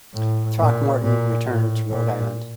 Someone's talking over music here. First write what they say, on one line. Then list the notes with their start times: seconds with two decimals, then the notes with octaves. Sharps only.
Throckmorton returned to Rhode Island.
0.14 A2
0.58 A#2
1.02 A#2
1.46 A2
1.91 A#2